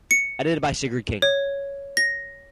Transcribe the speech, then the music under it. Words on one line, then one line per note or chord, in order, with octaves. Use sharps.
Edited by Sigrid King.
C#7
C#5
A#6